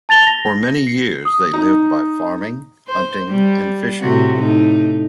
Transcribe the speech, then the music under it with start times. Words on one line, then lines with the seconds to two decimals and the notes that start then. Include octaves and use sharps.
For many years they lived by farming, hunting and fishing.
0.09 A5 A6 F7 G7
0.27 A#6
0.87 C7 C#7
1.25 D#6
1.53 D#4
2.88 C5
3.28 G3
4.00 A2 C3 F#4
4.37 A2 D#4